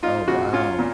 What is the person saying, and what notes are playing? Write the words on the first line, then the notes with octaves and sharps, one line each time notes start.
Oh wow.
D#4 F4
C#3 F#4
C#4 F4
A#2